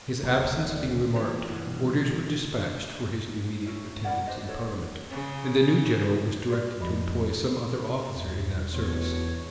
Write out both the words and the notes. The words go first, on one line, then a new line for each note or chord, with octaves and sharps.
His absence being remarked orders were despatched for his immediate attendance in parliament; and the new general was directed to employ some other officer in that service.
D1 D3 A#3 F4
D5
C#4
E2 A#2 E3 B3 C#5
E2 G2 B2
C#4 E4
E4 A#4 D5 F#5
D4 C5 D#5
A4 C#5
C#3
F#4 G4 D5
F2 D#5 B5
E1
E2 B2 C#5